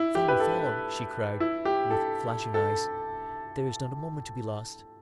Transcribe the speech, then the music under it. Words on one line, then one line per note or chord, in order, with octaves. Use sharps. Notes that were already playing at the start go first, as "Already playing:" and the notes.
"Follow, follow!" she cried, with flashing eyes; "there is not a moment to be lost."
Already playing: E4
G4
B4
A4
E4
G4
A4
A4